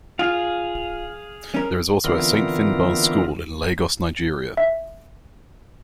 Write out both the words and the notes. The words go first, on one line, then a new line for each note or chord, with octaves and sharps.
There is also a Saint Finbarr's school in Lagos, Nigeria.
F4 G#4 F5
C#4 A#4
D3 E3 B3 C4 F4 A#4
E5